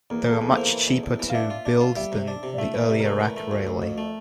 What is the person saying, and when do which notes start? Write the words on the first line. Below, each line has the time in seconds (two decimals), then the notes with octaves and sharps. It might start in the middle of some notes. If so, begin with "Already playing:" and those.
They were much cheaper to build than the earlier rack railway.
0.10 E2 A#3
0.26 E2 A4
0.42 E2
0.51 C5
0.57 A#3
0.72 E3
0.88 E2
1.04 E2
1.19 E3
1.30 F5
1.34 D4 E5
1.50 F4
1.65 D4
1.81 F4
1.96 G3 E5
2.12 C3
2.28 D4
2.43 C3
2.54 D5
2.58 A3 E5
2.74 E3
2.79 D5
2.89 C3
3.00 A#4
3.05 A3
3.20 E3
3.36 A3
3.51 D2
3.67 D2
3.82 F2
3.98 A3